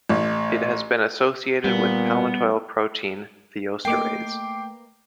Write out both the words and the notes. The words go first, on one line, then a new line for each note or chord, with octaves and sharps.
It has been associated with palmitoyl-protein thioesterase.
A1
A#2 G3 B3
A3 A#3 B4 D#5 G5 D6 C7